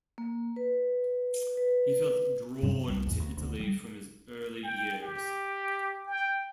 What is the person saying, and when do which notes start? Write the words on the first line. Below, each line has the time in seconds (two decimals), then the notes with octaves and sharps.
He felt drawn to Italy from his early years.
0.18 A#3
0.56 B4
1.57 B4
2.63 G2 C3 F#3 C4
2.88 C2 G3
3.07 E2 A2
3.20 D2
3.37 D2 D3
3.60 F3 G3
4.64 G5
5.01 G4
6.07 G5